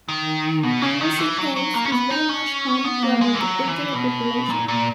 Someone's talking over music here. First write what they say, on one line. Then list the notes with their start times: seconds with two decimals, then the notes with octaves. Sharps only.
Anglesey is very much home to a multicultural population.
0.09 D#3
0.63 B2
0.82 C#3
1.01 D#3
1.19 E3
1.38 F#3
1.56 F#3
1.74 A#3
1.85 C#4
1.92 B3
2.10 D#4
2.29 C#4
2.85 B3
3.03 A#3
3.21 G#3
3.35 E3
3.40 F#3
3.68 E3
3.94 B2
4.49 A#2
4.68 A#2